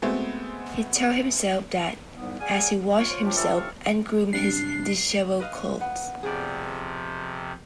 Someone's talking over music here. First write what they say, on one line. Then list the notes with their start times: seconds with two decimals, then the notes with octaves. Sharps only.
He told himself that as he washed himself and groomed his disheveled clothes.
0.02 G#3 A3 B3 C4 F#4
2.16 C2 G#2 B3
2.40 G#4 D5 F5 F#5 G#5
2.97 F4 C#5
3.10 C5
3.23 D4 G4 D5 D6
3.36 E3 D#4 A4 C#6
3.54 F5 C#6
4.33 F#2 C3 G3 D4 C7
5.40 B4 D#5 F5
5.81 B3
6.23 F2 C3 G#4 D5